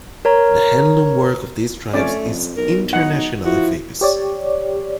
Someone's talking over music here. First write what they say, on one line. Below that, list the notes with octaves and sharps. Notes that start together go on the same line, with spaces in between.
The hand-loom work of these tribes is internationally famous.
A#4 C#5 A#5
F2 A3 C#4 D5
F2
B1 A#4
D#4 F#5
F3 E4 F#4
G4 C#5 D5